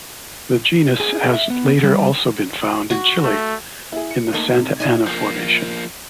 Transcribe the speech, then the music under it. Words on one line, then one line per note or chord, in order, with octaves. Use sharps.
The genus has later also been found in Chile in the Santa Ana Formation.
G#4
E5
B3
G3
F#4
A3
E4 G#4
C#7
A3 A#3 D#4
C3
A#2 D#4 E4 D#5 G#5
F3 A#3